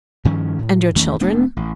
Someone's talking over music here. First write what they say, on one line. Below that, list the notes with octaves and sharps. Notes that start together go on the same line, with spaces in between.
"And your children?"
G2 D#3 F3 C#4
A2
E2 D#3 A3 C#4
F1 A3 B3 D4
A1